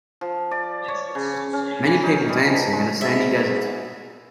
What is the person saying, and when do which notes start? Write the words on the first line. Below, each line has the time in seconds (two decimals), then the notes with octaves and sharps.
Many people dancing in a sandy desert.
0.21 F3
0.51 D5
0.88 C#5
1.15 C#3
1.53 C#4
1.84 E3
2.03 D#4
2.29 G3
2.45 F3
2.73 G#3
3.01 E2 G#2 E5